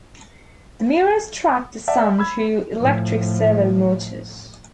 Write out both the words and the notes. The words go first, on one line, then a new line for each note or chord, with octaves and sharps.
The mirrors track the sun through electric servo motors.
D5 E5 F#5 A5
B5 E6 G#6
A2 F3